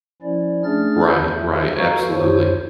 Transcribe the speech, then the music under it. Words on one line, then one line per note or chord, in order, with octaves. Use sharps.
Right right, absolutely.
F3 C#4 E4 D5
A3 C#4 D4 G#4 F6 A6
E2 B5 G6
E5
F#4 A4 B4 F5 A#5 C#6
F#2 E4 F4 C5 C#5